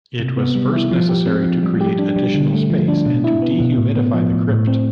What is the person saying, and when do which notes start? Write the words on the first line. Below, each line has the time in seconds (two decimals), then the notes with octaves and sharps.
It was first necessary to create additional space and to dehumidify the crypt.
0.20 C3
0.37 B3
0.55 G3
0.73 E4
0.91 F3
1.09 G4
1.26 C4
1.45 F3
1.63 G3
1.81 G4
1.99 D4
2.16 G3
2.34 D3
2.53 A3
2.70 F3
2.88 D4
3.06 B2
3.24 E4
3.42 B3
3.60 B2
3.78 A2
3.96 B3
4.14 F3
4.31 A2
4.50 A2
4.67 C4